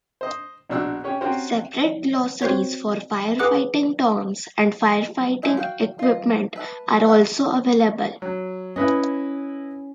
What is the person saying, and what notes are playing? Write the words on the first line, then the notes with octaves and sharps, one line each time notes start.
Separate glossaries for firefighting terms and firefighting equipment are also available.
C5 D#5
A#1 B2 D4 F#4 E6
C#4 G4 C#5
C4 C#4 F#4 G4 A#4 C5
C4 F#4 C5 C#5
G#4 B4 F#5 D6 F#6
G#3 A3 E4
F#4 F5 G5
F4 D#5
B4 E5 A5
B3 F#5
F#3
C#4 E4 B4 D#5